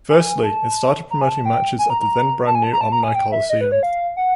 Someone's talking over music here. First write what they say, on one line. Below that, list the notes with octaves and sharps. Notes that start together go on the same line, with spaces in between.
Firstly, it started promoting matches at the then-brand-new Omni Coliseum.
G#5
A5
A#5
G#5
A5
G5
G#5
A#5
A#5
A5
G#5
A5
A#5
A5
A#5
G#5
G5
E5
D#5
B4
C#5
F5
F#5